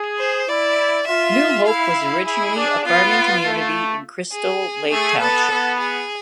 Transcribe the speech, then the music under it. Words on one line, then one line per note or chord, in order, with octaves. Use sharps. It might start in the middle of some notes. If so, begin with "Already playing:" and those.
New Hope was originally a farming community in Crystal Lake Township.
Already playing: G#4
C5
E4 D5
F4 E5
E4 F5
E4 G#4
D4
B3 F4
A3
G#4
A3 G#4
B3 A4
B3
G#4